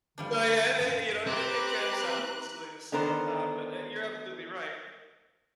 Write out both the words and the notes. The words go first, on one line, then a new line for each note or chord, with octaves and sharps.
But, yeah, i you know, it it can sound a little silly to say out loud, but, eh, you're absolutely right.
D3 F3 G3 D4
F#2 A#2 F3
C4 G4 B4 A#5 D6 F#6
D3 D#3 B3 A4 A#4 C5